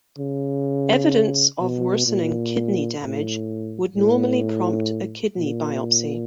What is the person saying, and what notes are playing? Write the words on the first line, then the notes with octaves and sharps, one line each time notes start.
Evidence of worsening kidney damage would normally prompt a kidney biopsy.
C#3
B2
A#2
A2
A2
A#2